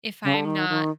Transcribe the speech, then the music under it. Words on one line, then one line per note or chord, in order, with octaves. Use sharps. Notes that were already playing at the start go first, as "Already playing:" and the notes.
if I'm not
C#3
D3
D#3
D#3